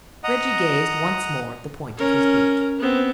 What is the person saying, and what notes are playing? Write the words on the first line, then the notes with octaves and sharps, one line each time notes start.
Reggie gazed once more at the point of his boot.
D#5 F#5 A#5 D#6
C#4 A#4
B3 C4